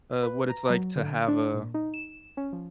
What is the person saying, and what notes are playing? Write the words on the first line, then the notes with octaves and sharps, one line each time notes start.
a what it's like to have a
B4
A#5
F#3
D3
D4
A#2
D#4
E7
C#4
F3